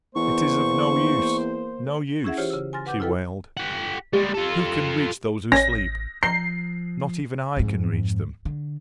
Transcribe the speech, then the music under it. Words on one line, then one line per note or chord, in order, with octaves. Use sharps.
"It is of no use--no use," she wailed; "who can reach those who sleep? Not even I can reach them."
E2 A#3 C5 C#6
C#4 E4 G#4 E5 F#5
E3 F4 G4 C5 C#5
C#3 E6
G#5 C6 F6 A6 A#6
B4 F#5 D6 G6
E4 F4 A4 B4 G5
G4 F#5
G3 G#3 G4
F4 A4
A1 C#4 A#6
F3 A#5 G6 C7
F2 G#2
D3